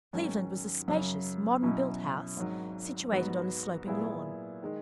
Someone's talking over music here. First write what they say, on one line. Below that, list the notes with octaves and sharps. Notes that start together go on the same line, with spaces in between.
Cleveland was a spacious, modern-built house, situated on a sloping lawn.
G#2 D#3 F#3 C#4
F#2 C#3 F#3
B2 F#3 C#4 E4
G#1 G#2 D#3 F#3
G#2 F#3 B3 F#4
A#2 F#3 B3 E4 G#4
D#3 G#3